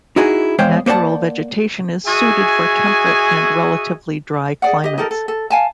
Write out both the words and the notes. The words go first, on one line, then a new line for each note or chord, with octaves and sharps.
Natural vegetation is suited for temperate and relatively dry climates.
D#4 E4 F#4 G#4
E2 G#3 C5 C#5 F5 G5
A#3 C5 D5 F#5 A5
F#4 G#4 D#5 E5 G#5
G#4 D5 F#5
G4 D#5
D#4 G4 A4 A#4
A4
A4
F5 G#5 A5